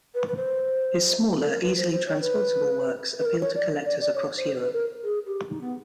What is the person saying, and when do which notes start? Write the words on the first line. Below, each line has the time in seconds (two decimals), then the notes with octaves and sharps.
His smaller, easily transportable, works appealed to collectors across Europe.
0.15 B4
0.28 B4
0.36 C5
1.39 A4
1.48 A#4
1.62 B4
1.77 C5
1.92 C5
2.07 C#5
2.21 B4
3.19 B4
3.25 A#4
3.41 C#5
3.55 D5
3.85 D5
4.00 D5
4.14 C#5
4.37 C5
4.59 B4
4.73 A#4
5.03 G#4
5.26 G4
5.49 D#4
5.61 B3